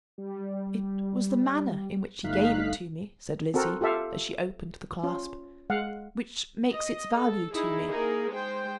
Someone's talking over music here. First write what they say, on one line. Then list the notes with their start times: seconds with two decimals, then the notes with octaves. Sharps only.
"It was the manner in which he gave it to me," said Lizzie, as she opened the clasp, "which makes its value to me."
0.18 G3
2.24 G1 A3 D#4 F5 F#6 B6
3.54 C4 F#4 A4 A#4
3.81 F4 G4 A4 E5 F5
5.03 C#4 F4
5.70 G#3 F5 F#5
6.72 D#5
7.14 A4
7.52 D#4 E4 G#4
7.88 A#3 D#4 G#4 A#4
8.31 G#3 C5 G5